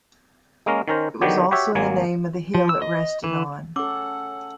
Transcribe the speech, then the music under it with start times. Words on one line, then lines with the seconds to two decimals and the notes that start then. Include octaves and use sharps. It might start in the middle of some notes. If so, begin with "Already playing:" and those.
It was also the name of the hill it rested on.
0.66 G#3 A#3 C#4 A#4
0.88 D#3 C#4 A#4 C5
1.21 D3 D#3 F#3 B3 G4 C#5
1.51 F#4 G4 C#5 E5
1.75 G#1 F#3 A#3 G#5
2.55 F3
2.69 E6
2.82 D#5
3.24 E3
3.76 C#4 A4 F#5 D6 E6